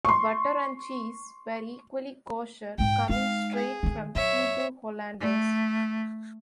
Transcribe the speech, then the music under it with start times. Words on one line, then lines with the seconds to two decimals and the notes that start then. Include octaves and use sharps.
The butter and cheese were equally kosher, coming straight from Hebrew Hollanders.
0.05 C6 C#6
2.78 G#2 C3 G5
3.09 G#3 D#4 F5
3.55 G#4
3.83 D3 D#3
4.15 F#2 C#5 E5
5.21 A3